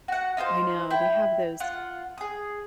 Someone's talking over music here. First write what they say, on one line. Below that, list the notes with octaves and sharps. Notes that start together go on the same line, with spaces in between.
I know, they have those
F#4 F#5
D#4 F4 A4 C5
E4 G5
F4 F#5
G#4 D#6